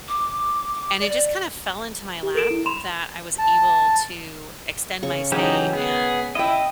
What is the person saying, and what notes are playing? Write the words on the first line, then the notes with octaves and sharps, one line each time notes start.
And it just kind of fell into my lap that I was able to extend my stay and
D6
D5
G4
A4 A#4 D7 E7
E4
B5 C6 E7 F7
A5
C#3 C#6
E3 F#3 G#3 C#4 D#4 G4 G#5
B3 G#4
E4 D#5 E5 G5